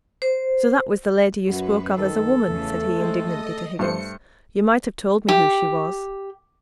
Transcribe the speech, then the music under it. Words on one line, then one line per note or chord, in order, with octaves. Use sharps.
'So that was the lady you spoke of as a woman?' said he indignantly to Higgins. 'You might have told me who she was.
C5
F#2 F#4 B4
D#3 A4
E2 C#3 E3 A3
G#3 C4
D#5
G2 A3 C5 C#7
G4